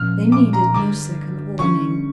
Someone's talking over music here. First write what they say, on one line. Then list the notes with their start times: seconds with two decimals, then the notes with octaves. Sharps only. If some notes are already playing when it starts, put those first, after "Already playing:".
They needed no second warning.
Already playing: A#2 F3 C#4 F6
0.32 D6
0.53 A#5
0.74 G2 D3 G3 D6
1.59 D3 G3 C#4 C#6